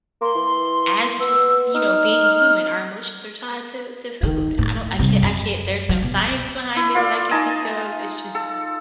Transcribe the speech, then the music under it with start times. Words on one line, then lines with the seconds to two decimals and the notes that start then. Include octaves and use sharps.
as just you know, being human, our emotions are tied to to food. I don't I can't I can't, there's no science behind it that I could think of It's just
0.21 A#3 C6
0.35 E3
1.20 B3 E6
1.74 D#4 F6
4.23 D#3
4.58 A2 F3
4.99 C3 G3
5.22 F#2
5.89 F#3
6.03 B2
6.76 E4
6.95 F4 D5 F5
7.31 D#4 D#5 G#5 A5
8.35 A4